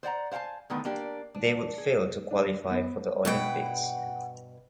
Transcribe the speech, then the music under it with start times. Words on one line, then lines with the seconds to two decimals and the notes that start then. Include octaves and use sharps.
They would fail to qualify for the Olympics.
0.03 C5 D5 F#5 A#5
0.32 C5 F5 F#5 G#5 A5
0.70 D3 D#3 A3 B3
0.85 A#3 D4 G4
1.35 D4
1.78 G#4
2.31 D4
2.70 B3
3.25 G2 B2 B4 F#5 G5